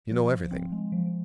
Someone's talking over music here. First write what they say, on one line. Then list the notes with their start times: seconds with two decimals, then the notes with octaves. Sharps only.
You know everything.
0.11 F3
0.31 F3
0.51 C4
0.72 G#3
0.92 F3